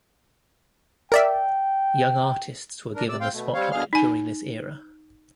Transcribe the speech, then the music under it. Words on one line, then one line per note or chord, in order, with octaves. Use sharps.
Young artists were given the spotlight during this era.
A#4 D5 E5 G5
D4 A#4
C3 D5 E6
C4 F5 G5 C6
B2 A3
G3 C4 C#5 F5
B2 D3 G#4 F5 F6
D#4 G#5